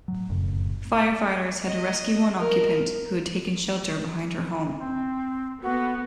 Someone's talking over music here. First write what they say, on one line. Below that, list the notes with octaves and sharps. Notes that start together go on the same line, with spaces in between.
Firefighters had to rescue one occupant who had taken shelter behind her home.
A2 F#3
F1 F#2 A2 C#3
D#5
A#4
C4
B3 F#4 A4 F#5